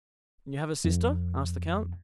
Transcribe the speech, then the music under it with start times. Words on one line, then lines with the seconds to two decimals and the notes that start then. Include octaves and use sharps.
"You have a sister?" asked the count.
0.84 F2